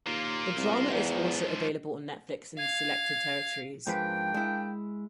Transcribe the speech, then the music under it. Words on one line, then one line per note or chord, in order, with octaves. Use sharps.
The drama is also available on Netflix in selected territories.
D#2 A#3 F4
C2
E2 G#2 F3
F5 G#6
G#2 F3 A#3 D4 B4 G5
G#3 E4